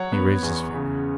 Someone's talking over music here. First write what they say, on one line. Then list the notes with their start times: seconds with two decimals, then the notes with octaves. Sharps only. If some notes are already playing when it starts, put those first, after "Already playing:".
He raised his finger.
Already playing: F#3 C#5 F#5
0.12 B3
0.43 E2
0.74 C#3